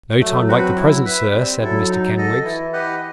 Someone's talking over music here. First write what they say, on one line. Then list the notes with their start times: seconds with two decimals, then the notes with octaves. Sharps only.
'No time like the present, sir,' said Mr Kenwigs.
0.20 F#3 A3
0.48 C4 F#4 B4
0.76 E4
1.05 B4 E5
1.33 G3 C4
1.61 F#3 E4 A4
1.89 D#4
2.17 A4 D#5
2.45 E3 E4
2.73 G4 B4 D#5 F#5